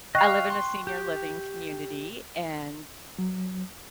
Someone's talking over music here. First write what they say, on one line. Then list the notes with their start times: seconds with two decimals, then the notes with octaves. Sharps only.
I live in a senior living community, and,
0.15 D#5 F5 G5 C#6 F#6
0.50 C6
0.87 G4
3.19 F#3